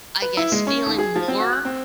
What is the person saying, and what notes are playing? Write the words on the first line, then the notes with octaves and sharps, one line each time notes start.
I guess, feeling more
B4
E4
G#3
C#4
D#2
G#4
F3
C4
F#4
F#6
C4